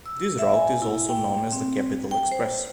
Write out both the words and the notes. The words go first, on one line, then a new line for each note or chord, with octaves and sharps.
This route is also known as the Capital Express.
E6
E5
G#5
E4
G5
C4
G5
C5